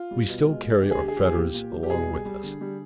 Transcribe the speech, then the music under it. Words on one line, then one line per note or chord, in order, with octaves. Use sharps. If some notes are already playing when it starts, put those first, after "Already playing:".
We still carry our fetters along with us.
Already playing: F4
G3
B2
G#3
G#3
D3 G4
G#4
D3 G4
G#4
F3 G4
G#4
A#2 G4
A#2
F#3
G4
B2 G#4
G3
G3
D3
G3